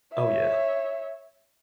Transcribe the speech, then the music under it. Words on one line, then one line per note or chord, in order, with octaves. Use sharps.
Oh, yeah.
C#5 E5